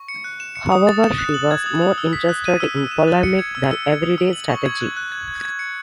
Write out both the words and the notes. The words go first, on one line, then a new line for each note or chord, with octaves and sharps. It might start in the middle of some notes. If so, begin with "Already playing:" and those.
However she was more interested in polemic than everyday strategy.
Already playing: C#6
C#7
F#6
E7
C#7
D#6
A6
E7
F#6
F#7
G#6
D#6
D#6
E6
B6
F#6
D#7
E6
E6
E7
A6
C#7
G#6
E6
E6
G#6
D#6
E6
F#7
C#6
G#6
F#6
F#6
G#6
G#6
G#6
C#7